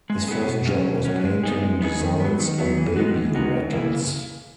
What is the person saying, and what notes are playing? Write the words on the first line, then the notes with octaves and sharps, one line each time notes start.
His first job was painting designs on baby rattles.
G#3
B3 E4 G#4
B2
F#3 C#4
B2
F#3 C#4
G#3
B3 D#4 G#4
G#3
B3 D#4 G#4
D#3
F#3 B3
D#3
F#3 B3
E3
G#3 B3 D#4 F#4
E3
G#3 B3 D#4 F#4
C#3
E3 A#3 E4
C#3